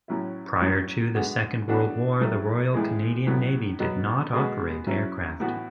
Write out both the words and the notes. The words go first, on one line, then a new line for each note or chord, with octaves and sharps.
Prior to the Second World War the Royal Canadian Navy did not operate aircraft.
A2 F#3 C#4 E4
A2 F#3 C#4
D3 G#3 B3 F#4
E3 B3 D4 F#4
A2 F#3 A3
A2 E3 G#3
A2 F#3 B3
B2 F#3 B3
B2 G#3 B3 F#4
F#3 C#4 E4
A2 E3 B3 F#4